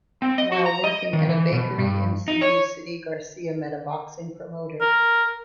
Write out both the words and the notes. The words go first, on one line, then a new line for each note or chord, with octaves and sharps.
While working at a bakery in Cebu City, Garcia met a boxing promoter.
C4
D#5
F#4
A#5
D#5
D#3
E3
B2
G2
D#4
C#5
A#4